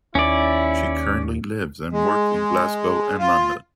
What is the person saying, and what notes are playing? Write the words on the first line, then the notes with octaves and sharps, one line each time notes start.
She currently lives and works in Glasgow and London.
D#2 C#4 E4 D5
G#3
F4